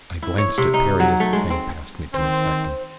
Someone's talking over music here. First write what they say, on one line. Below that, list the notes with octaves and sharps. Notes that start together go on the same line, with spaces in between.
I glanced at Perry as the thing passed me to inspect him.
E4
C#5
C3
D#4
F#3
A3
G#3
C4
D#3 C4 C5